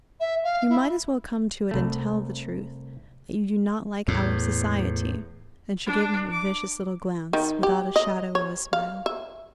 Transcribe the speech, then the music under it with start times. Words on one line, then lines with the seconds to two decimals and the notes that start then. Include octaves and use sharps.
"You might as well come to it and tell the truth; that you do not like our society." And she gave him a vicious little glance without a shadow of a smile.
0.20 E5
0.44 F5
0.70 E4
1.71 C2 A3
4.08 E2 A2
5.86 D4
6.31 D6
7.33 D#3
7.63 G4
7.96 D#5
8.35 C#5
8.73 F5
9.06 E5